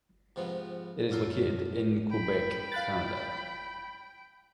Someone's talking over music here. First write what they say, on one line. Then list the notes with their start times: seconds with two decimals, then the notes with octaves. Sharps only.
It is located in Quebec, Canada.
0.36 G#2 C3 F3 B3
1.11 F#2 A4 A#4 C6
2.10 G5 B5
2.72 F5 F#6 A6